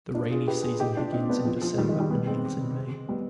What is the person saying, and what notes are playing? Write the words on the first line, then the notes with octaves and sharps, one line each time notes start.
The rainy season begins in December and ends in May.
D4 F4
F4 G#4
G4 B4
F4 G#4
D#4 G4
D4 F4
C4 D#4
B3 D4
F3
F3
G#3
D#3 G3
F3 G#3
D#3 G3
G3 B3
G#3 C4
G3 B3